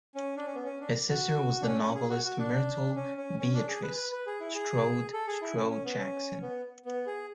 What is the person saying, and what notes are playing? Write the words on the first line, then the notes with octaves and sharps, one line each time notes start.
His sister was the novelist Myrtle Beatrice Strode Strode-Jackson.
C#4
D4
C#4
B3
C#4
D4
F#4
D4
C#4
C#4
G#4
F#4
F#4
D4
C#4
C#4
C#4
D4
G#4
B4
B4
B4
G#4
E4
G#4
A4
G#4
E4
C#4
C#4
B3
C#4
B3
B3
G#4